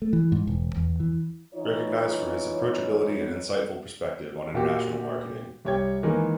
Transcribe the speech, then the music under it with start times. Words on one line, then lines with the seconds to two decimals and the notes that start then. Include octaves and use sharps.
Recognized for his approachability and insightful perspective on international marketing.
0.02 A3
0.13 E3
0.32 G#2
0.47 E1
0.77 E2
1.00 E3
1.54 E3 D#4 F4 C#5
4.54 A#2 F#4 G4
5.65 C2 G4 C#5 G5 G#6
6.03 D#3 E3 G#3 A#3